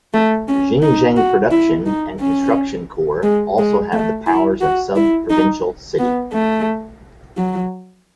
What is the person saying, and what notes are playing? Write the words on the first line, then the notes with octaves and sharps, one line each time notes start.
Xinjiang Production and Construction Corps also has the powers of a sub-provincial city.
A3
C#4
D#4
F#4
E4
D#4
C#4
G#3
G#3
A3
E4
F#4
E4
D#4
B3
A3
F#3